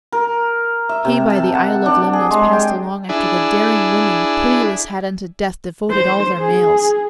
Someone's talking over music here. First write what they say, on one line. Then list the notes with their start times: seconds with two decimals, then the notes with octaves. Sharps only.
He by the isle of Lemnos passed along After the daring women pitiless Had unto death devoted all their males.
0.12 A#4
0.89 E5
1.05 C3
1.30 A5
1.55 F#5
1.86 D4
2.13 G#4
2.31 G#3
2.53 G5
3.09 D4 E4 G#4
5.90 C5
6.40 G#4